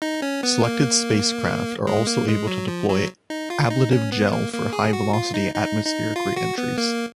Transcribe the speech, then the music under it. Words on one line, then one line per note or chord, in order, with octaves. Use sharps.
Selected spacecraft are also able to deploy ablative gel for high-velocity atmospheric reentries.
D#4
C#4
B3
A#3
G#3
A#3
G#3
F#3
F3
F#3
D#4
F4
D#4
C#4
B3
A#3
A#3
G#4
F#4
F4
D#4
D#4
D#4
F4
F#4
B3
A#3